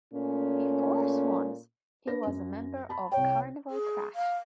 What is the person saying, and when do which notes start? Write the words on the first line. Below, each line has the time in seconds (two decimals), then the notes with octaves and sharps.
Before Swans, he was a member of Carnival Crash.
0.14 A#2 A3 C#4
2.07 D4 B4 A#6
2.26 F#2
2.89 A5 B5
3.12 C2 C#5 G5
3.70 G#4
4.15 F5